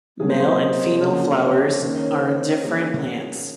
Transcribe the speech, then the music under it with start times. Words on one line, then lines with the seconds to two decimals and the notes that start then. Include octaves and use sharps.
Male and female flowers are on different plants.
0.20 C3 F#3 A#3 G#4
0.30 C5
0.40 C5
0.51 D#5
1.01 C#3 F3 A#3 C#4 C#5
1.42 C#5
1.51 C5
1.59 C#5
1.82 D#3 A#3 C#4 C#5
1.93 C#5
2.03 C#5
2.13 C5
2.23 A#4
2.64 F3 A#3 C#4 G#4